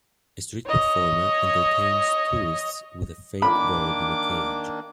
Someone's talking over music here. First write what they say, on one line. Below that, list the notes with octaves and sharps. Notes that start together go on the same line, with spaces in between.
A street performer entertains tourists with a fake bird in a cage.
C#5 D#5
D#3 A#3 D4 B5 D6